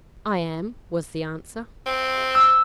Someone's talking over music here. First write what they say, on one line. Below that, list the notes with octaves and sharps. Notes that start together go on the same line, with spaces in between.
"I am," was the answer.
C4
E6